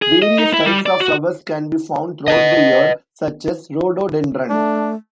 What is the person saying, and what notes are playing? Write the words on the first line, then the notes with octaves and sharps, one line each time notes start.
Various types of flowers can be found throughout the year, such as Rhododendron.
G#4
D#5
D#4
E4
G3
D5
F#4
B4 D#5
A3 D4